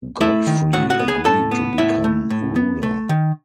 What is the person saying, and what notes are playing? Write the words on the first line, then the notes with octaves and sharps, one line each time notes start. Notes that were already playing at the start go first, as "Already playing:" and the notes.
Godfrey agreed to become ruler.
A3 E4 E5
D#3
A2 F#4 F#5
F#4 F#5
B3
G#4 G#5
A2 A4 A5
B3
A2 E4 E5
A3
A2
B3
A3
D#3